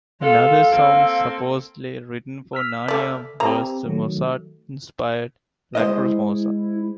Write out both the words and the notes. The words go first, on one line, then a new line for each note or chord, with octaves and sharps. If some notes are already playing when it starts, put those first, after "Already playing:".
Another song supposedly written for "Narnia" was the Mozart-inspired "Lacrymosa".
G#3 F4 A4 F5
A#3 C4 A4
E6 F6 B6
A3 D5
E3 C4 G4 A#5
D#3 F#3 A3
G#3 E4 C5 D#5